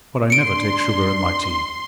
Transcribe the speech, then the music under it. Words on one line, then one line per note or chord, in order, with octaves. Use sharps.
"But I never take sugar in my tea."
D4 C6 C#7 D7